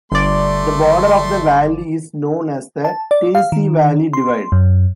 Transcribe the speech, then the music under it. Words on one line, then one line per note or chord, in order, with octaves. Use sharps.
The border of the valley is known as the Tennessee Valley Divide.
G1 A3 D5 C6
A5
D5
F5
D#3
C6
F#2